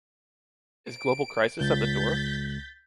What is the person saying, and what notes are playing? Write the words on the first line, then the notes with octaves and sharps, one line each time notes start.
Is global crisis at the door?
D7
C#2 G6 A6 B6